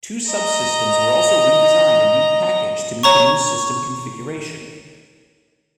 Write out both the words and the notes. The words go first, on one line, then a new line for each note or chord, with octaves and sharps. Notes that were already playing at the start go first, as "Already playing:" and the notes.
Two subsystems were also re-designed and re-packaged to meet the new system configuration.
D#5 A#5
C#5 A#5 C#6